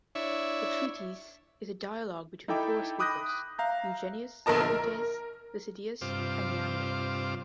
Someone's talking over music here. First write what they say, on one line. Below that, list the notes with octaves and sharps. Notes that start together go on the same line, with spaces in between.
The treatise is a dialogue between four speakers: Eugenius, Crites, Lisideius, and Neander.
D4 E4 C#5 E5
D#4 E4 A4 E5 G5 D6
B5 D6 D#6 F#6 G6 A#6
E5 F5 A#5 G6
A#1 D3 A#4 D#5 A5
A#4
G2 C3 F4 C5 D6